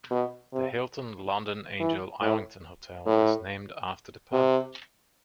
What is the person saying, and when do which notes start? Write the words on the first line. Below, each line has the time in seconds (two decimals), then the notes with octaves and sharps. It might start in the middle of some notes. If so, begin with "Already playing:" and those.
The Hilton London Angel Islington Hotel is named after the pub.
0.11 B2
0.53 C3
1.80 E3
2.21 A2
3.06 A2
4.32 C3